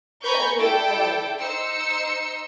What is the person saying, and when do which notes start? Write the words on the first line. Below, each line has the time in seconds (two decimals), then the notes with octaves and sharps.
That is funny.
0.22 G#5 A#5 B5 C#6 G6
0.58 E4 A4 D5 G5 D7
1.38 D#4 C5 E6 C#7